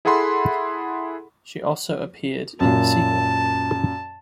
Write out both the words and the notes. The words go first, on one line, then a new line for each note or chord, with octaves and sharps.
She also appeared in the sequel.
E4 G#4 A4 F#5 B5 C6
F#2 A#2 A5